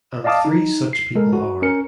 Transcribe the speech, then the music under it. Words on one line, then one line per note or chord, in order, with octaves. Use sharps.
And three such people are.
D5 D#5 F5 A5 D6 D#6
D#4
C7
G#3 A4 A#4
F#4
C#4 A#4 C#7